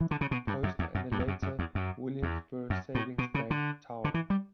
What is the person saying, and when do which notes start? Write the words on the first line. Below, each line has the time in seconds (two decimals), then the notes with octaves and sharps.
Post, and the later Williamsburgh Savings Bank Tower.
0.01 E3
0.11 D3
0.21 C#3
0.31 B2
0.47 G2
0.63 F#2
0.79 E2
0.95 F#2
1.12 G2
1.19 E2
1.28 F#2
1.42 F#2
1.59 E2
1.75 F#2
2.22 E2
2.70 F#2
2.95 A2
3.18 B2
3.34 C#3
3.50 D3
4.04 D3
4.14 E3
4.30 G3